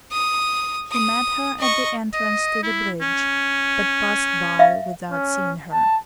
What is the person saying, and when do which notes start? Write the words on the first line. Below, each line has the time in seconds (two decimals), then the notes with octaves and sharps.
He met her at the entrance to the bridge, but passed by without seeing her.
0.12 D#6
0.92 D#6
1.59 D#5 C#6
2.13 D#5
2.63 E4
3.01 C#4
4.59 E5 F5
5.11 C#4
5.72 A5